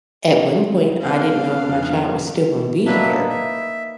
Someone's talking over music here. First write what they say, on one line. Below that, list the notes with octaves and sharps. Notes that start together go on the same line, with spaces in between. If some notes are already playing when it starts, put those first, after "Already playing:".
At one point, I didn't know if my child was still gonna be here,
B3 C4 D4 F5
F2
F#3 A#3 D4 D#4 B4 E5
E5